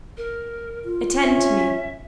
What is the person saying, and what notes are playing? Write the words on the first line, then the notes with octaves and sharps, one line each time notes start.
"Attend to me."
A#4
F4
C#4 E5